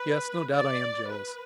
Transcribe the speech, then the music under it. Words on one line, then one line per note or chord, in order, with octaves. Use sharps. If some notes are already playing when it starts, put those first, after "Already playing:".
Yes, no doubt I am jealous.
Already playing: B4
D5
B4